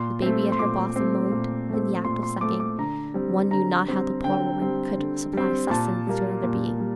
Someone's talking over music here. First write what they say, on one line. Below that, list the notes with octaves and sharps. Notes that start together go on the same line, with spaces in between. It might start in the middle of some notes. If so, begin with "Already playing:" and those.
The baby at her bosom moaned in the act of sucking; one knew not how the poor woman could supply sustenance to another being.
Already playing: A#2 C6
A3 C4
C6
A#2 D6
A3 C4
A#2
A3 C4
A#2 C6
C6
A3 C4 D6
D6
D3 A#5
G3 C4
D3 A#5
G3 C4
D3 G5
G3 C4
D3
G3 C4
A#2 A5
G3 A#3
A#2
G3